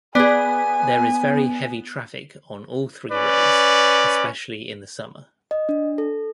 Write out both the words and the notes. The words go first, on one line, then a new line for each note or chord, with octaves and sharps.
There is very heavy traffic on all three roads, especially in the summer.
B3 G#4 B4 D5 G#5
C#4 B4 D5
D#5
D4
A4